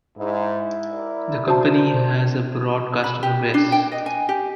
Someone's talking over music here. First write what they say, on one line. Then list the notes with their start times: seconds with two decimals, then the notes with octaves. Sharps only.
The company has a broad customer base.
0.18 G#2 E4
0.91 G4 A#4 D5
1.48 F#4 C5 A5
3.04 B5
3.23 G4
3.54 D4
3.72 G5
3.92 D#5
4.06 G#5
4.29 G4